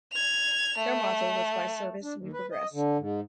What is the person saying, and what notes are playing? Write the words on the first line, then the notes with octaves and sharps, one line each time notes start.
Their motto was By Service We Progress.
G#6 F7
A3
D4
D#2
B4
D#5
D3
G#2